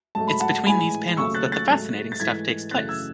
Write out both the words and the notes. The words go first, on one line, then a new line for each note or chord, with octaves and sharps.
It's between these panels that the fascinating stuff takes place.
G#2 F#3 A3 A5
B5
F#5 A5
A2 E3 G#3 G#5 B5
D#2 C#3 F#3 A3 C#6 E6
F#6 A6
F#6 A6
G#2 F#3 A3
A6
G#2 E3 A3 G#6 B6
F#2 C#3 E3 A3 F#6 A6
E6 G#6